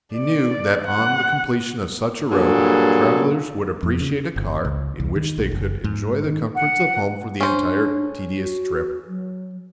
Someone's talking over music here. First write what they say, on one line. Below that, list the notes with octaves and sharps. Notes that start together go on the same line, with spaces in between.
He knew that on the completion of such a road, travelers would appreciate a car in which they could enjoy the comforts of home for the entire tedious trip.
D5
F#5
G2 A#2 F#3 G#4 A4
F2
C#3
G1
C#2
C2
D#3
B1
F#1
G#2
D#3
F#5
C#4 D4 C5
F#4
F#3